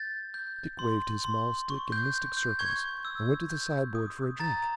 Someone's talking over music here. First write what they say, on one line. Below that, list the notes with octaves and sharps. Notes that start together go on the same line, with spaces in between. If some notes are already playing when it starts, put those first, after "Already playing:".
Dick waved his mahl-stick in mystic circles and went to the sideboard for a drink.
Already playing: G6 A6
G6
C6
C6
C#6
G6
G6
G6
C#6 G#6
E6
G6
D#6
A#5 A6